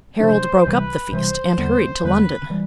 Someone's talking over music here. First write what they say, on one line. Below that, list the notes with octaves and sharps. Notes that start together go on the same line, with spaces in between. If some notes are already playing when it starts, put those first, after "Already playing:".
Harold broke up the feast and hurried to London.
C3 F3 A3 D4 C5
C2 C3 E3 G3 B4
C2 C3 E3 G3 C5
E2 D3 G3 B3
E2 D3 G3 B3 B4
E3 G3